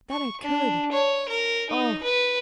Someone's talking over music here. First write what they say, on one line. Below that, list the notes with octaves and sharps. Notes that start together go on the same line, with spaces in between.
That I could!--Oh!
C#6
D4
C#5
A#4
D#4
B4